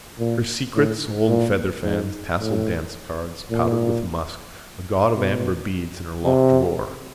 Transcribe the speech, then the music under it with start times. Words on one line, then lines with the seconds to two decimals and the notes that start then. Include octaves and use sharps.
Her secrets: old featherfans, tasselled dancecards, powdered with musk, a gaud of amber beads in her locked drawer.
0.19 A#2
0.75 A2
1.29 A#2
1.84 G#2
2.40 A2
3.51 A#2
5.15 B2
6.26 C3